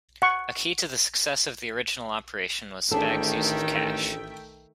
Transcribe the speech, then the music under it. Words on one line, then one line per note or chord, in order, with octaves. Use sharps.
A key to the success of the original operation was Spag's use of cash.
F#5 C#6
A1 D#3 A3 D4 G#4 A4 E5 G5